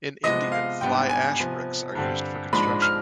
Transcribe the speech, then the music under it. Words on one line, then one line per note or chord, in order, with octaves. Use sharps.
In India, fly ash bricks are used for construction.
C3 F3 G#3 B3 D#5
F5
G#2 G3 B3 D4 G5
G#5
C3 F3 B3
G2 D3 G3 C4
G#2 F3 G#3 D4 B5
F6